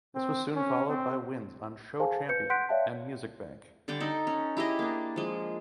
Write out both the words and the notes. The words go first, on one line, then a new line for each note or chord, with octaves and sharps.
This was soon followed by wins on "Show Champion" and "Music Bank".
C4
C#4
C4
G#4 C5 F5 G#5 A5
B4 G6 C#7
F#5 C6 F#6 G6 B6 D7
C#5 D5 E5 F5 G5 A5
D3 G3 D5 G5
D#4 A4
C#4
E4 G4 G#4 D#5
A#3 D4
F3 G#3